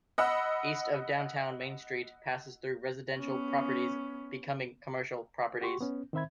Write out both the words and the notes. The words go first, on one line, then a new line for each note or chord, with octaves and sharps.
East of downtown Main Street passes through residential properties becoming commercial properties.
D#5 F#5 B5 E6
B3 C#4
F#4 G4 C6 C#6
B3 C#4
D#3 C4 C5 E5 B5 G#6